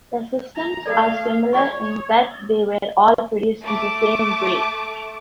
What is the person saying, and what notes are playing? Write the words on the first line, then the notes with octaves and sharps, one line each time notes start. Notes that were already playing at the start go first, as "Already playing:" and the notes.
The systems are similar in that they were all produced in the same way.
A#5
A3 A4 D5 F5
C#5 D5 C#6
A3 A5 D6